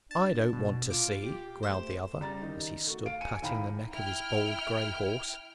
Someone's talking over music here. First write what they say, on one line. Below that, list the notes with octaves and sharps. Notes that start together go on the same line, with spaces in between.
"I don't want to see," growled the other, as he stood patting the neck of his old grey horse.
D4 A5
B2
F4 D6
G4
A3 C5 E7
C#3 G3 A#5 A6
D#3 D#4
A3 F#4
F5 D7
G#5 C#7 D#7
D#2 A2 F5 G5 A#5 B5
E4 G5 F6